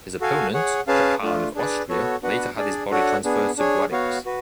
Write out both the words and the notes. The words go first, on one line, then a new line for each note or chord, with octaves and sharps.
His opponent, Johann of Austria, later had his body transferred to Guadix.
F#4 A4 F5 G#5
G#4 C#5 F#5
C#4 G#4 B4 F5 A5
A3 D4 F4
D4 G#4 B4 D5
B3 F#4 A4 C#5
B3 D4 F#4 B4 F#5
D4 G#4 D5
D4 F#4 A4 C#5 F#5
B3 D4 G#4
D4 G#4 C#5
B3 F#4 C#5 F5
F#4 B4